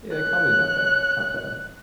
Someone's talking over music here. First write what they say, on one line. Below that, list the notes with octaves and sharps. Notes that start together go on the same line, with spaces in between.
Yeah, comedy's not bad, it's not bad.
C#5 F#6